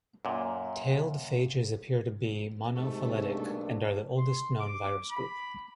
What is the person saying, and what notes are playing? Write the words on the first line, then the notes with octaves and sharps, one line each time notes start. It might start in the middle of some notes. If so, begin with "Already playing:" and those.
Tailed phages appear to be monophyletic and are the oldest known virus group.
F#2 A#2
G#2 C3 A3
B1 A#3 D4
C6
D6
B5